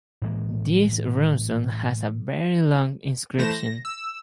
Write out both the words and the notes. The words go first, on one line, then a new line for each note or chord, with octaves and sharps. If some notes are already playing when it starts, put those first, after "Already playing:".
This runestone has a very long inscription.
A2 E3 G#3 A#3
E3 A3 C5 A#6 E7
A#6
E6